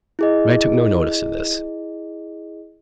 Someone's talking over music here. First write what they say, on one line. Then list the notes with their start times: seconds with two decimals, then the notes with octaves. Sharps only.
But I took no notice of this.
0.19 E4 G#4 D#5